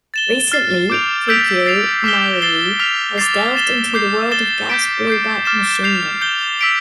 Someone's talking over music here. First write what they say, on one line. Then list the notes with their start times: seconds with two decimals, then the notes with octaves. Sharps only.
Recently, Tokyo Marui has delved into the world of Gas Blowback Machine Guns.
0.14 A6 E7 G7
0.52 F6 A6 C7
0.90 D6 G6 D7 F7
1.28 E6 G6 B6 D7 F7
1.66 A6 C7 F7
2.04 D6 F6 B6 E7 G7
2.42 A6 C7 E7 G7
2.79 F6 B6 F7
3.18 D6 A6 C7
3.55 A6 E7 G7
3.94 D6 G6 C7
4.32 A6 E7 G7
4.70 G6 B6 D7
5.07 D6 G6 C7
5.45 D6 F6 A6 E7
5.83 G6 C7 F7
6.21 G6 C7 G7
6.59 E6 B6 D7 F7